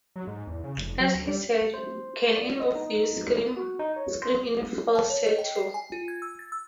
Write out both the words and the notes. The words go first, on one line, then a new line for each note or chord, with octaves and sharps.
And he said, 'Can any of you scream, scream in falsetto.
F#3
G#2
E2
C#3
F1
F#3
D2
G3
C5
D5
D#5
D#4
F#4
D#4
C#5
C6
A5
C#5
D#5
G5
C7
G#5
F4
G#6
E6
A6
E6